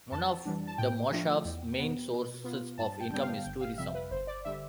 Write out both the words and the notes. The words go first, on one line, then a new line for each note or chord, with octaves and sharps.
One of the moshav's main sources of income is tourism.
F2 A5
E3 G3 D4
A5
A2 G5
F3 A3 D4 F4
E2
B2 B3
B2
B3 F4
G2 A5
G5
D3 G3 B3 G5
F5
G1 G5
F5
F2 C3 G3 E5
B4
G1 C5
D5
D3 G3 E5